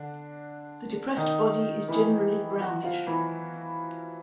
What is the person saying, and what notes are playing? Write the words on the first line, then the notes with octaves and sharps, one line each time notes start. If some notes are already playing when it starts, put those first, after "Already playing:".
The depressed body is generally brownish.
Already playing: D3 D4
D#3 D#4
E3 E4
F#3 F#4
F3 F4
E3 E4